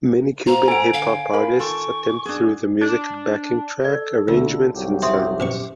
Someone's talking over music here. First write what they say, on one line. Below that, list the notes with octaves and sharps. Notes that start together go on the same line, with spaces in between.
Many Cuban hip hop artists attempt through the musical backing track arrangements and sounds.
B3 F4 C5 A#5
A4 F#5 G#5 D7
D3 F5
D4 A#4 B5
D#3 F4 A4 C#6
F#2 D4 G#4
D4
A4 D5
C#2 D3 A3 F4 E6
C2 G#2 F#3 G4
C5 E5 C6 D#6
F#2 B2 C5 C#6